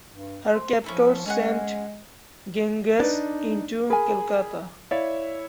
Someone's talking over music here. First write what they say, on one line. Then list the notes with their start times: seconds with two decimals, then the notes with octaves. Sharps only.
Her captors sent "Ganges" into Calcutta.
0.12 G2
0.54 C5
0.84 F3 C#4 E4 A4
1.26 G#3 C#4 G#4 F#5
2.99 D4 D#4 B4 D5
3.90 G#4 A#4 G#5 B5
4.91 E4 C#5 D5 E5 F5